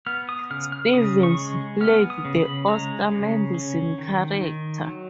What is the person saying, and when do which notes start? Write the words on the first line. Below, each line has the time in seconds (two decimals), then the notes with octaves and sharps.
Stevens played the Oscar Madison character.
0.06 B3 F6
0.29 D#6
0.51 C#3 F6
0.72 F6
0.93 C#3 D#6
1.23 C#6
1.37 G#3
1.81 B3 F6
2.10 D#6
2.25 C#3
2.39 B5
2.68 G#3 A#5
3.12 C#3
3.55 C#4
3.98 D#3
4.41 D#3
4.85 F#3